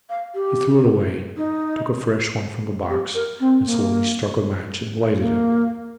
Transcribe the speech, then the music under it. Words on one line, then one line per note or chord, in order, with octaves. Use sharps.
He threw it away, took a fresh one from the box, and slowly struck a match and lighted it.
F5
G4
D#4
G4
A#4
C4
A#3
A#3